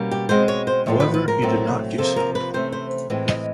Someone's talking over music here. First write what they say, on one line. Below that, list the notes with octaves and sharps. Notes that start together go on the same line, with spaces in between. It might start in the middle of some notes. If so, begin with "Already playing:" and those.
However, he did not do so.
Already playing: B2 G3 A#3 C#4
G4
B2 G#3 C4 C5
C#5
C5
A2 F3 G#3 B3
B4
B4
A#4
A2 F#3 A3 C4
C3 F3 A#3 A4
A#4
B4
C3 E3 A3 C#4 C5
C5
A2 E3 G#3 C4
D#5